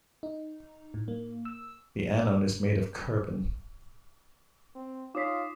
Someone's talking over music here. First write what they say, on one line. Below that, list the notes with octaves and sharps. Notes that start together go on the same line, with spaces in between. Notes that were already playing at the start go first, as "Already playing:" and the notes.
The anode is made of carbon.
D#4
A2
A#3
E6
C4
D#4 F4 C#5 D6 D#6 B6 C7